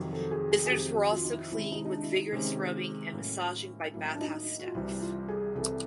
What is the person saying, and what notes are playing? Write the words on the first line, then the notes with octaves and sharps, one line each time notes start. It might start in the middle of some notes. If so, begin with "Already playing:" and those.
Visitors were also cleaned with vigorous rubbing and massaging by bathhouse staff.
Already playing: F2 C3 D#3 F#3
A4
G#4
G#4
G#4
F2 C3 D#3 F#3 G4
F#4
F4
D#4
E4
C3 D#3 G#3 C#4 E4
D#4
D#4
D4
E4
D#4
C3 D#3 G#3 C#4
A2 F#3 A#3 C#4
A2 F#3 A#3 C#4 E4
D4
D#4
F#4
F4
C2 C3 E3 G3 E4
F4
G#4
C2 C3 E3 G3 A4